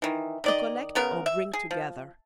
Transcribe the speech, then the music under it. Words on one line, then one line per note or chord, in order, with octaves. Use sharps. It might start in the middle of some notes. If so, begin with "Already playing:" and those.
To collect or bring together.
D#3 E3
D#3 D5 D#5
C#3 B3 A#4
E5
G#4
F3